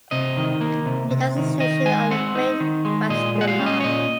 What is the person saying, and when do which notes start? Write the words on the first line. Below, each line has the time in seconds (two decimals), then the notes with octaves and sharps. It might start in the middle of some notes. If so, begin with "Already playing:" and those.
It has a station on the Main Western line.
0.11 C3 D#5
0.37 D#3
0.61 A#3
0.86 C3
1.11 C3
1.37 D#3
1.60 D#3 D#5
1.85 G#3 G#5
2.11 C4 F#5
2.35 D#4
2.60 D#3
2.85 G#3
3.09 A#2 D#5
3.35 G#3
3.41 F#5
3.47 F5
3.59 C#4
3.66 D#5
3.80 C#5
3.84 A#2 D#5